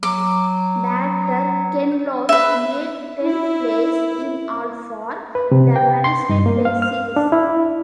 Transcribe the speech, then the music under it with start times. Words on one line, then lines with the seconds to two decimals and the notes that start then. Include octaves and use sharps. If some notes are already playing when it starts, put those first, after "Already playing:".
Director Ken Loach made ten plays in all for "The Wednesday Play" series.
0.03 F#3 D6
2.29 B4 E5
3.22 E4
5.35 B4
5.52 C3
5.76 G5
6.04 C6
6.29 G2
6.46 A#3
6.65 F5
6.82 F6
7.16 D4
7.32 E4